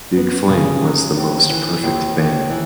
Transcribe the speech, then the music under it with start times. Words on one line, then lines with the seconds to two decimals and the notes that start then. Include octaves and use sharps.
Big Flame was the most perfect band.
0.17 B3
0.49 C#3
0.83 F#3
1.16 D#2
1.49 E3
1.83 D#2
2.16 D#2
2.50 E3